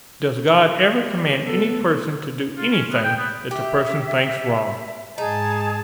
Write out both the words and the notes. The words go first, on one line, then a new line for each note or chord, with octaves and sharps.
Does God ever command any person to do anything that the person thinks wrong?
G3
B3 A4
F4
C#4
B3
G5
B3
G4 E5
G#2 D#4 G#4 A5